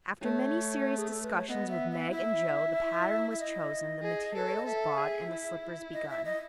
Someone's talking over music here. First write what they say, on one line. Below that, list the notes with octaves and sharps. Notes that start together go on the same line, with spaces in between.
After many serious discussions with Meg and Jo, the pattern was chosen, the materials bought, and the slippers begun.
A3 C#5
G#4
A4
B4
C#5
B3 D#5
E5
E5
E4 E5
E5
D#5
G#4
A4 B4
C#5
D#5
A4 E5
G#4
E4
D#5
E5
D#5